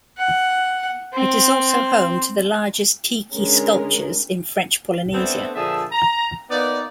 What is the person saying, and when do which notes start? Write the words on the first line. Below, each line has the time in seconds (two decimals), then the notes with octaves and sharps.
It is also home to the largest tiki sculptures in French Polynesia.
0.18 F#5
1.13 C4
3.34 D3 G#3 C#4 A#4
5.13 A3 B3 C4 D4 E4 A4
5.55 A#2 D3 F3 G#4 E5 A5
5.91 A#5
6.50 A#3 B3 D#4 B4 D5